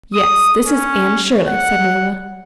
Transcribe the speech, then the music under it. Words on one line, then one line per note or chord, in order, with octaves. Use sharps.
"Yes, this is Anne Shirley," said Marilla.
D#6
C#4
F#5